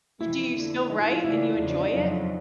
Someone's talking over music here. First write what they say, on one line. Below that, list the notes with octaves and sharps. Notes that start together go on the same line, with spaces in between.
you do you still write and you enjoy it?
F2 C3 E3 E4
F2 D3 F3 A#3
A2 F3 G#3 D#4
E4
F4
C#3 E3 A3 D4 E4
E2 C#3 F3 D#4
D4
D#4
F2 C#3 F#3 F4